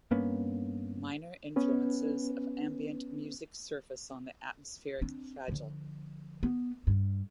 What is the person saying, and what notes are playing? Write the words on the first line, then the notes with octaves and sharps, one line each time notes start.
Minor influences of ambient music surface on the "atmospheric" "Fragile".
G2 A#3 B3 C#4
B3 C#4 B4
C4 D4
D3 F3
B3
G2